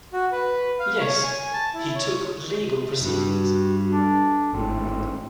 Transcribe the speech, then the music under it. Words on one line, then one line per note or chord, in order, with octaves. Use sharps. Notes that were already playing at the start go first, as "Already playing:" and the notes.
Yes, he took legal proceedings.
F#4
B4
F5
C#5
G#5
A5
E4
C#5
G2 F#4
D4 A4
G#1 A2 C4